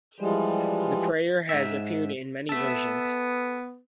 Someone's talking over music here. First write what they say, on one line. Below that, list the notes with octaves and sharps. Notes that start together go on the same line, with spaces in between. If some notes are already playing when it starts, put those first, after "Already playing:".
The prayer has appeared in many versions.
E3 F3 G3 G#3
G#2 E5
B3 A4 E5